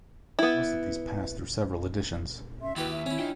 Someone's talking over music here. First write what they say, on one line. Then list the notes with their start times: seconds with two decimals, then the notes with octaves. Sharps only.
Most of these passed through several editions.
0.39 B3 E4
2.61 C#4 E5 C6
2.76 D#2 E4 F#4 G4 B4 G5
2.90 E5
3.06 D#3 C4 C#4 E4
3.19 D4 F4 D#5 G5